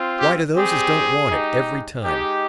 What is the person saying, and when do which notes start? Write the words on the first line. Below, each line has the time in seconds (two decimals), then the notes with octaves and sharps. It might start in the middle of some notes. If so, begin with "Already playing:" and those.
Why, to those as don't want it, every time.
Already playing: C4 F4
0.20 G4
0.56 G3 C4 G4 G#4
1.30 G#3 D#4 G4
2.03 G#3 D#4 G4